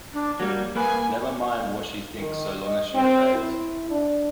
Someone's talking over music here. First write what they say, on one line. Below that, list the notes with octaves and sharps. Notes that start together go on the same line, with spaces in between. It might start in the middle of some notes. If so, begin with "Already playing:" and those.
Never mind what she thinks so long as she obeys.
D4
F#3 G3 A#3
A#3 B4 G#5
D#3
D#5
C4
E4
D4